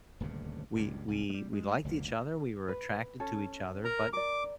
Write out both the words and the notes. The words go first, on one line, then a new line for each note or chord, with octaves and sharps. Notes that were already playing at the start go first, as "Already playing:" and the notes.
we we we liked each other, we were attracted to each other, but
D#1 D2 G2 C#3
C#2 G2 A#2
C2
G3 G#3
G#3
F#1 D2 A#2
B4
C#4 A4
A#4 A#5
A#4 D5 D6